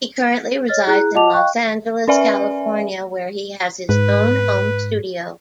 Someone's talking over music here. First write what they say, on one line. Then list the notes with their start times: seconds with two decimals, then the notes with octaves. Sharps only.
He currently resides in Los Angeles, California, where he has his own home studio.
0.69 C#5 D#5 F6 A6
0.87 E4 G#4 A#5 F#6
1.15 F4 D#5 F#5 A5 D6 F7
1.33 D#5 F5 G5 C#6 F#6
2.08 C#4 B4 D5 E5 G#5
3.89 G#2 B4